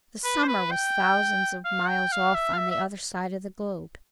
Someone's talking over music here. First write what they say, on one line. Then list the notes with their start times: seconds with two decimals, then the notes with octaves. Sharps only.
The summer was thousands of miles off on the other side of the globe.
0.24 B4
0.43 C5
0.48 B4
0.71 G5
1.65 F5
1.89 G5
2.12 F5
2.35 E5
2.53 F5
2.58 E5
2.71 E5